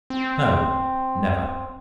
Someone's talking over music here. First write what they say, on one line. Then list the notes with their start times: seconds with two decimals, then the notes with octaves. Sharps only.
"No, never."
0.10 C4